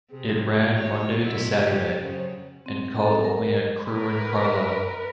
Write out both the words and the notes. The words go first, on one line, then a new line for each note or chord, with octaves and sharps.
It ran Monday to Saturday, and called only at Crewe and Carlisle.
C3 G#4
F#4
D#3 C#5
B2 F#3 E4 F4
C#3 C#4 G4
C#3 F#3 C5
C4
A4
A#4
A#4 B4